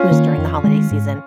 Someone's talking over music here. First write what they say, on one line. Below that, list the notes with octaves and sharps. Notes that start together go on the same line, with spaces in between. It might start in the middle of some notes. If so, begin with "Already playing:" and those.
it was during the holiday season,
Already playing: C#4 F4
D#3 A#3
F2
D#3 G#3
G#2